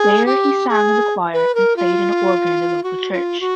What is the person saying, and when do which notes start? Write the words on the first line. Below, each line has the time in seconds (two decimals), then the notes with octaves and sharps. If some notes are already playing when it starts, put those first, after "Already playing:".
There, he sang in the choir and played an organ in the local church.
Already playing: G#4
0.25 G4
0.68 G#4
1.33 B4
1.54 A#4
1.76 F4
2.83 F#4
3.12 F4
3.40 F#4